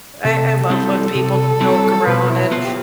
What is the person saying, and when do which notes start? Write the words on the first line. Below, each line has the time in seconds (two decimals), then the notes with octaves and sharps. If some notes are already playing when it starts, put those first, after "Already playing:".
I I love when people joke around, and
0.25 C3 A4
0.70 G3 C4 E4 G4
1.15 C3
1.61 G3 C4 E4 G4
2.06 B2 B4
2.29 E4
2.51 B3 F4 C5
2.64 G4